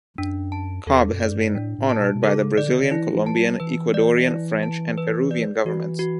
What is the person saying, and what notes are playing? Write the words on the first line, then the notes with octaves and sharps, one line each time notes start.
Cobb has been honored by the Brazilian, Colombian, Ecuadorian, French, and Peruvian governments.
F#2 D4
A5
E2 A4
F#2
D5
G2
A2 D4
A2
A5
B2
B2
C#3 A4
D3 D5
D3
E3 E4
E3
A5
F#3
E3 B4
D5
E4
A5
B4
D5
E3 F#4
F#4